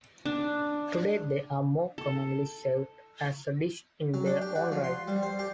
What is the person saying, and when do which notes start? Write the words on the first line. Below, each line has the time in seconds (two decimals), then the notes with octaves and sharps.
Today, they are more commonly served as a dish in their own right.
0.25 D4
1.98 A4
4.14 F#3
4.26 D4
4.41 G4
4.55 F#4
4.72 F3
4.84 C6
5.08 G3
5.23 C5
5.39 G4